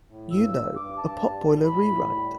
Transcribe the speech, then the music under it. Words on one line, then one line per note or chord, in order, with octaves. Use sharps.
You know, a potboiler rewrite.
A2
G2 E6
G2
G2 D6
G2 A5
G3
A2
A2 B5
A2
G3